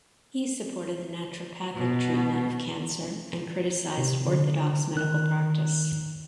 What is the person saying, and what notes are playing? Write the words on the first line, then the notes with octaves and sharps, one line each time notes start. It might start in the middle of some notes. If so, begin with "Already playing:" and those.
He supported the naturopathic treatment of cancer and criticized orthodox medical practice.
B2
C3
D3
D#3 F#6